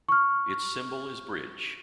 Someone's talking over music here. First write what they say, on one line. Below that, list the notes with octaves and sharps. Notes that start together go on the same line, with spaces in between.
Its symbol is bridge.
C#6 F6